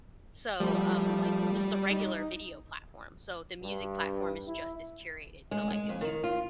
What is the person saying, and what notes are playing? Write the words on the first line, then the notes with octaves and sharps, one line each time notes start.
so, um, like just the regular video platform. So, the music platform is just as curated. So, like, if you,
F3 G3 A3
D#4
G2
E4
G#3
G#3
F2
D#3
F4